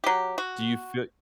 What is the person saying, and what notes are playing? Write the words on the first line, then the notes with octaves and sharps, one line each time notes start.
Do you fee
F#3 G4
F#4